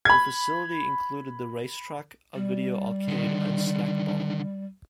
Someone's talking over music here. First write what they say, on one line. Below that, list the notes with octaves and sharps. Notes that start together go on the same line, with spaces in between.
The facility included the racetrack, a video arcade and snackbar.
B5 G#6
G3
D3 D#3